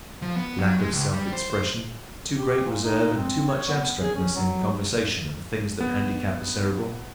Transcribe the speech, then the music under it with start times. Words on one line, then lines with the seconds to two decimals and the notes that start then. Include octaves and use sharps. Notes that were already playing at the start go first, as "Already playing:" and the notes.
Lack of self-expression, too great reserve and too much abstractness in conversation are the things that handicap the Cerebral.
0.22 F3
0.36 B3
0.59 F#3
0.79 G#3
0.93 C#2
1.13 G3
1.33 C5
1.50 C5
2.35 G4
2.65 A#2
2.83 D#4
3.16 C4
3.49 C#5
3.68 B3
4.02 G#4
4.15 C#4
4.36 F#3
5.80 B3